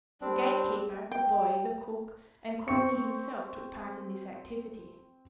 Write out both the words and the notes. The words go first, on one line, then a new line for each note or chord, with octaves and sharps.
The gate-keeper, the boy, the cook, and Corney himself took part in this activity.
G3 C4 D4
G5
C4 C#6 C#7